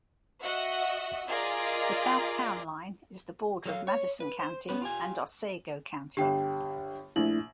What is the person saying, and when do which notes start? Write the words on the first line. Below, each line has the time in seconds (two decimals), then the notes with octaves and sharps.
The south town line is the border of Madison County and Otsego County.
0.42 F#4 D#5 E5 F#5
1.29 F4 G#4 A#4 D5 D#5 D6
3.66 F#3 A4 F5
3.87 C#5
4.20 B4
4.39 C5
4.69 B3 C#4 B4
4.82 F4 G4 G#5
6.17 G1 D3 G4 G5
7.16 A#1 A3 D4 E4 F#7